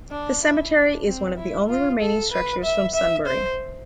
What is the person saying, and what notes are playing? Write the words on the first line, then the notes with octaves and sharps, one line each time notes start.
The cemetery is one of the only remaining structures from Sunbury.
D4
E4
D4
C4
E4
F4
A4
B4
E5
E5
C5